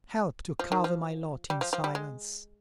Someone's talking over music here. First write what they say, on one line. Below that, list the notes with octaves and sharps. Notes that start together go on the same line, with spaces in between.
Help to cover my lot in silence.
F3
D#3
F3
G3
F3
F3
G3
G#3